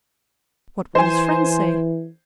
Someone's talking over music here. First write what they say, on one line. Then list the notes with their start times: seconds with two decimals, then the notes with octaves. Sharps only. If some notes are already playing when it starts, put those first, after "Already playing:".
What would his friends say?
0.95 E3 C5 G#5